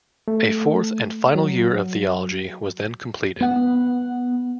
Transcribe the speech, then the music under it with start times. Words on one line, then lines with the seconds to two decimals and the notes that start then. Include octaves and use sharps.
A fourth and final year of theology was then completed.
0.28 A3
1.35 F#3
3.41 B3 F#5